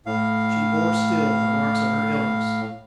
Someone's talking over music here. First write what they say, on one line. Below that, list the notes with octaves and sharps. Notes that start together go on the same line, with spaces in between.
She bore still the marks of her illness.
A2 F5